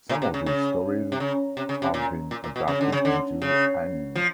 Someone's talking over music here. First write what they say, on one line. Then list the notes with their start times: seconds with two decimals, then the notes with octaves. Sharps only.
Some of his stories have been adapted into anime.
0.09 A#2
0.22 C3
0.34 C#3
0.46 C#3
1.12 C3
1.20 C#3
1.57 C3
1.69 C#3
1.82 C3
1.94 A#2
2.31 A#2
2.44 A#2
2.56 B2
2.68 C#3
2.81 D3
2.92 C#3
3.05 D3
3.42 C#3
4.16 F3